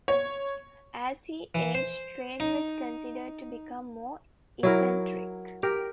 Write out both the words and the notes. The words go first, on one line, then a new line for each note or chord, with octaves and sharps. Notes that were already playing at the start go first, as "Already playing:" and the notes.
As he aged, Train was considered to become more eccentric.
C#5
E3
C5
D#4
F#3 E4 A#4
G4 A#4